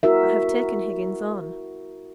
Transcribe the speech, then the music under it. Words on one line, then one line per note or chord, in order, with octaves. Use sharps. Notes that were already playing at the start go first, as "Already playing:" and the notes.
I have taken Higgins on.'
E4 F#4 A#4 E5